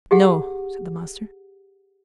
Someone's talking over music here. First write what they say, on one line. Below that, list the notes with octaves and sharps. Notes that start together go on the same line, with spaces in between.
"No!" said the master.
G4 G#4 F#5